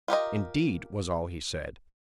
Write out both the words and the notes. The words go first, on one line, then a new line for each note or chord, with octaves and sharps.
"Indeed!" was all he said.
F4 G4 A#4 D#5